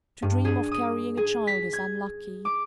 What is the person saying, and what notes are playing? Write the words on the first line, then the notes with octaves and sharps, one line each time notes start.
To dream of carrying a child is unlucky.
G2
G#4
D#6
G#4
B6
G#6
D6